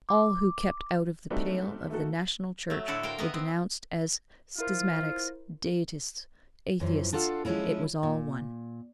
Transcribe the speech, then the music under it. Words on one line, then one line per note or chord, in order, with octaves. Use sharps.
All who kept out of the pale of the national church were denounced as schismatics, deists, atheists--it was all one.
D6
G3 A3 C4 D4 D#4 F#4
A3 A#3 D#4 F#4 A4
F#3 A3
A2 D3 E4 F#4 A4
A#4 C5 F5 G5
B3 B4 D#5 E5 A#5
C4
E4 F4 A#4 C5
F#2 E3 F3
D4 F4 A4 F5 F#5
F3 G#3 A#3 C#4 E4 F4
A#2